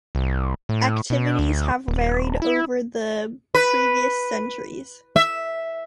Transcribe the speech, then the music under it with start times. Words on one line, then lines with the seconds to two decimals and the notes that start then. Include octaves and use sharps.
Activities have varied over the previous centuries.
0.15 C2
0.69 A2
1.10 B2
1.39 D2
1.88 D#1
2.42 E4
3.55 B4
5.16 E5